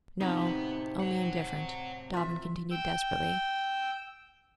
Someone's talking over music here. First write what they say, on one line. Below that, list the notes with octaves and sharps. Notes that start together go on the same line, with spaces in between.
"No, only indifferent," Dobbin continued desperately.
D1 C3 B3 C4 D#4
C#5 F#5
F4 E5
G5 E6